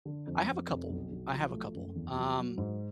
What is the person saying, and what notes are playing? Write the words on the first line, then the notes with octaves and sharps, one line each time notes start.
I have a couple, I have a couple, um
D3
F2
F2
F1
B1
B1
F3
A3
F#1
E2
F#3
F#3
G#2